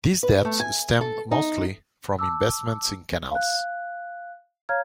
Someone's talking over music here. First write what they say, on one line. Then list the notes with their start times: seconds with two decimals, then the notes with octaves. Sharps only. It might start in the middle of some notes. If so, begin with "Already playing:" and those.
These debts stemmed mostly from investments in canals.
0.23 B4
0.45 A3
0.60 G#5
1.01 A4
1.31 D#4
2.19 A5 D6 E6
3.31 F5 F#6
4.69 C#5 F5 A#5 F6 G#6